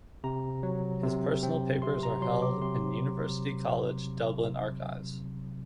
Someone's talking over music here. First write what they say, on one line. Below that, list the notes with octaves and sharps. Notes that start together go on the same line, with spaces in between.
His personal papers are held in University College Dublin Archives.
C3 A#5
F#3
C3
C4
C3 C6
A#5
F#3 C6
D6
C3 C6